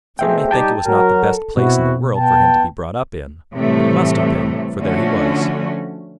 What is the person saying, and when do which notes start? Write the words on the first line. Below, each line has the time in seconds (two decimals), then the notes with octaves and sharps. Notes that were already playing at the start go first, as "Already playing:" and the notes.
Some may think it was not the best place in the world for him to be brought up in; but it must have been, for there he was.
0.19 B2 A3 C4 G#4 E5 G5
0.51 G3 D#4 G4 G5 A5
0.86 F#3 F#4 A#4
1.23 A4
1.57 B2 C4 E4 F#4
2.17 B3 G5 A5
3.55 A2 C3 E3 G3 A3
4.79 D3 F3 A3 C#4 F#4